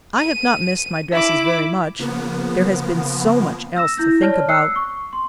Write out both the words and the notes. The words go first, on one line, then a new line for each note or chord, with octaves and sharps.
I have not missed my dresses very much--there has been so much else to think about.
D#7
E4 D6
C#3 F3 A#3 B3
E6 A#6 E7
E4 G6 A#6
C#5 D5 A5 F6
E6 F#6 C7 C#7
C#6
C6